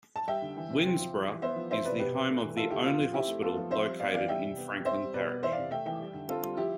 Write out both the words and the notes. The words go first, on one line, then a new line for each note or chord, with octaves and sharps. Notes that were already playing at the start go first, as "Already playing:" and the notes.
Winnsboro is the home of the only hospital located in Franklin Parish.
A5
G3 E5 G5
D3
E3
C3
C4
F3
G3
E3
B3 C5 E5
F3
E3 C5 E5
C3 B4 D5
B2 G4 B4
B3
A3
E3
A3 F4 A4
D3 E4 G4
B3 F4
F3
C4 E4 G4
A3
B3 F4 A4
F3
C4 C5 E5
G3
B3 D5 F5
E3 D5 F5
G3 E5 G5
C3
B3
G3
C4 C5 E5
G3
B2 B4 D5
B3
E3 C5 E5
D5 F5
C3
A3 E5 G5
E3 E5 G5
G3
D3
C4 F4 A4
G3 F4
F3 E4 G4